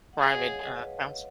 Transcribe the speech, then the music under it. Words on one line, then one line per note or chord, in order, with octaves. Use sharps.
private, uh, counselor.
F#5
G#4 C#5 F5
D#5 F#5
C#5 F5
B4 D#5